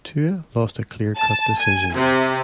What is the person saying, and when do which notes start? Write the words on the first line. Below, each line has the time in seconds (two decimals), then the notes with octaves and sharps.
Tua lost a clear-cut decision.
1.18 A5
1.58 G#5
1.94 C3